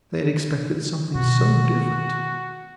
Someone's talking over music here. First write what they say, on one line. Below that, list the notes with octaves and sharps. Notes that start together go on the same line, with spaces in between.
They had expected something so different.
B2 D#3 F#4